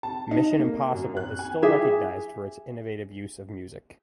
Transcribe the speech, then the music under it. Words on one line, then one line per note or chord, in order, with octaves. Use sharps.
"Mission: Impossible" is still recognized for its innovative use of music.
A5
D#4
A#3
F#2
F#6
G#5
G4 G#4 E5